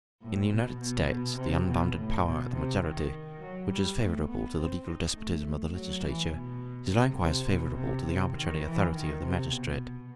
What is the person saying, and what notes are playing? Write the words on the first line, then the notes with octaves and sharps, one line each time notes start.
In the United States the unbounded power of the majority, which is favorable to the legal despotism of the legislature, is likewise favorable to the arbitrary authority of the magistrate.
A2
B2
B2
B2
C3
B2
A2
B2
C3
D#3
F#3
G3
A3
B3
C4
D#4
A3
F#3
E3
B2
C3
C3
B2
C3
C3
D#3
E3
D#3
C3
B2